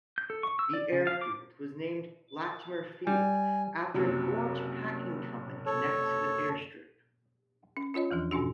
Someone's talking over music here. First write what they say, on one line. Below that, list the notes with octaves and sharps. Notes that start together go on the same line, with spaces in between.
The airfield was named Latimer Field after an orange-packing company next to the airstrip.
G6
A4
C#6
E6
D5
C#3
F5
D6
G3 G#5
F#1 C3 F#3
A4 C#5
C#4
C#4 F4 C#5 D#5
E2 E3 F3 D4
G2 B2 C#4 D4 F#4